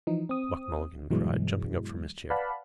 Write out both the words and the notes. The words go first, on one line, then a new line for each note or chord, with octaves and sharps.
Buck Mulligan cried, jumping up from his chair.
E3 F3 D#4
C4 D#6
G2 B2 E3 F#3 G#3
B4 D5 F5 F#5 A5 B5